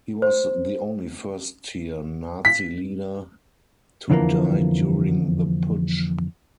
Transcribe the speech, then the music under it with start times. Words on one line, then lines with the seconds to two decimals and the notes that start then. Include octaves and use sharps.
He was the only first-tier Nazi leader to die during the Putsch.
0.22 C5
2.45 B6
4.10 F2 D3 E3 F3 G3 A#3